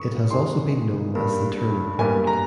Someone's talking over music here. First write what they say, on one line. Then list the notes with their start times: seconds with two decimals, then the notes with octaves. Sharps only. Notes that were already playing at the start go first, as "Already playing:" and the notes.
It has also been known as the Turner Property.
Already playing: G2 D#3 C#6 D#6
0.30 G2 D#3 G#3 C6
1.15 G2 G3 A#3
1.99 G2 G3 A#3 G#5
2.27 A#5